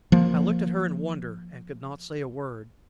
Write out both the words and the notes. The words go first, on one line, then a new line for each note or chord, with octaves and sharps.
I looked at her in wonder, and could not say a word.
F3 A#3